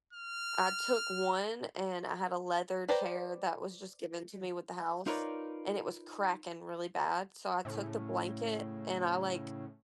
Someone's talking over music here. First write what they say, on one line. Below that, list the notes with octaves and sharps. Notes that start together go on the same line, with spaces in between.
I took one and I had a leather chair that was just given to me with the house, and it was cracking really bad. So I took the blanket and I like
F6
B4 C5 D5 G5 A#5
D#4 F4 A#4 B4 C#5 D5
A2 C#3